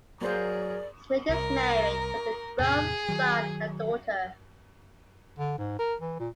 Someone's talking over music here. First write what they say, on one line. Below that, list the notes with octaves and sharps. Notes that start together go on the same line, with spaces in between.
Smith is married with a grown son and daughter.
F#3 A#3 G#4 A#4 C5 D5
C2 A#4
E2 A2 C3 G#4
D#3 F#3
D3
G#2
A#4
E3
A#2